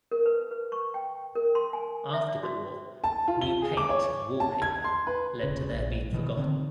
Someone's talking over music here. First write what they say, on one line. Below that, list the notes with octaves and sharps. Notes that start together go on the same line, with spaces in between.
After the war, new paint and wallpaper led to their being forgotten.
A#4
B4
B4
C#6
G5
A#4
C6
G#5
E5
D5
F#4
A5
F4
G7
G#4
D6
C#5
A5
G#6
C6
B4
E1 C#3
A#1
B2 D#3 E3
D3 D#3 C4